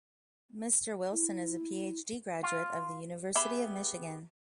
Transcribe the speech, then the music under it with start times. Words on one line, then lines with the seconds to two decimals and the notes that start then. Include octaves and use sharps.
Mr. Wilson is a Ph.D. graduate of the University of Michigan.
1.12 E4
2.43 F4
3.35 B3 G4 G#4 E5 B5